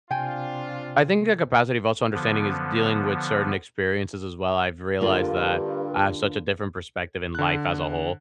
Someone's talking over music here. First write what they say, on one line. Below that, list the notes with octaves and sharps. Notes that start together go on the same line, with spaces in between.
I think the capacity of also understanding is dealing with certain experiences as well, I've realized that I have such a different perspective in life as a whole.
C3 C4 D4 F4 G5 G#5
D3 F3 B3
G2 D3 A#3 F4
D3 F#6